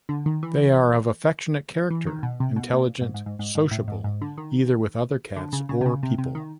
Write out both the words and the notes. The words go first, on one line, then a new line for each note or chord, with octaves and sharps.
They are of affectionate character, intelligent, sociable, either with other cats or people.
D3
D#3
E3
E3
D#3
B2
C3
B2
A#2
G#2
G#2
G#2
G#2
G#2
A2
G#2
G#2
D3
D#3
D3
C#3
C#3
C3
C#3
C3
C3
D#3